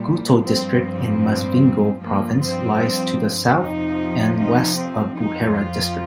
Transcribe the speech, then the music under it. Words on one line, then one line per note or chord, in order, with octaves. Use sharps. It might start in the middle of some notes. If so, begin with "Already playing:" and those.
Gutu District in Masvingo Province lies to the south and west of Buhera District.
Already playing: A#2 G3
G2 F3 C4
C4
G2 F3 A#3
C4
F2 C3 F3 D#4
D#4
C4
F2 F3 D#4
F4